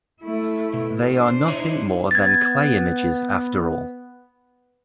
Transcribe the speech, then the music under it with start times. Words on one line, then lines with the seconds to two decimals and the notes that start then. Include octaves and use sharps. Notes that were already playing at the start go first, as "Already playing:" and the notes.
They are nothing more than clay images after all.
0.21 A3 E4
0.74 B2
1.12 D4 C5
1.48 D#4 E4 C#5
2.11 B3 G#6 A6